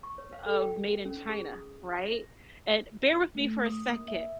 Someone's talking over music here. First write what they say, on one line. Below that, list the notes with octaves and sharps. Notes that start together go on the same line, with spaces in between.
of Made in China, right, and bear with me for a second,
C#6
C#5
F5
A4
G5
C#4
G#4
D#6
E5
A3
D#6
A#3
E5